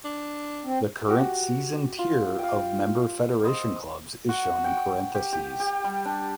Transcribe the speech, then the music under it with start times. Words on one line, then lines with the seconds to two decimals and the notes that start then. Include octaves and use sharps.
The current season tier of member federation clubs is shown in parentheses.
0.04 D4
0.65 C4
1.08 F#4 G4
1.99 F4
2.39 F5 G5
3.43 C5 D#5 C6 E6
4.29 F#4
4.64 G5
5.15 G4
5.33 G4
5.60 G4
5.84 G3
6.05 D4